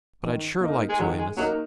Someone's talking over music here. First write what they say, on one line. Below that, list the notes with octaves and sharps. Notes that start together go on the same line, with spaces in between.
But I'd sure like to, Amos.
D#3
A#3 D#4 A#4
G#3
D#3 F#3
G#3
F#3 A#3 D#4 A#4